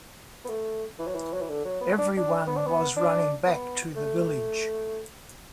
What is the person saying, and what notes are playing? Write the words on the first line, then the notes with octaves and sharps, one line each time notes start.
Everyone was running back to the village.
B3
A3
E3
F#3
E3
F#3
E3
D3
F#3
B3
D4
D4
B3
D4
B3
D4
B3
A3